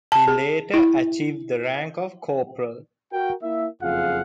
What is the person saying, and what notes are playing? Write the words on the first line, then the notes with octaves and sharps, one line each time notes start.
He later achieved the rank of corporal.
A5
G#4
E4
F#4 A#4 G5
A#3 E4 E5
F#1 F2 F4 G#4 F5 F#5